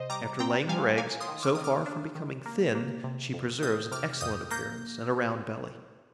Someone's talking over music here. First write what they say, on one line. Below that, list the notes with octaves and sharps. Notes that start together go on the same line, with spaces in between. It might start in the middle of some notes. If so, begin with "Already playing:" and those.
After laying her eggs, so far from becoming thin, she preserves an excellent appearance and a round belly.
Already playing: C3 C5 D#5
G3 A#5 D6
C4 G5 A#5
G3 F5 G#5
A#3 F5 G#5
C6 D#6
D#3
D6 F6
D#3 D#6
D6 F6
D4
D#3
A#3
A#3
C3
F2
F2 D#6 G6
C3 D6 F6
F2 D#6 G6
A#3 G6 A#6